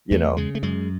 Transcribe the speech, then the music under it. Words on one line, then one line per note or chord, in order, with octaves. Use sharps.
You know?
E2 A3
C#3 G#3
A3
F#2 G#3